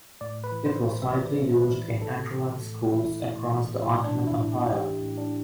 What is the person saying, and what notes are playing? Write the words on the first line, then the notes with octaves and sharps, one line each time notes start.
It was widely used in Enderun schools across the Ottoman Empire.
A2 D5
B4
E3
C5
A2
E5
E3 D5
A2
B4
E3
A2 A4
E3
A2
E3 E4
A2
E3
A2 E4
D4
E3
E4
A2
E3 G4
A2
D4